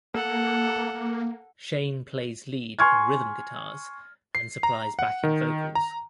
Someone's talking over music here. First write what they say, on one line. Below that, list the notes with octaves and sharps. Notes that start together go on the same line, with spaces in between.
Shane plays lead and rhythm guitars, and supplies backing vocals.
A#3 A4 F#5
G#5 C6 C#6 F6 G#6
C7
A#5
F#5
D#3
A#5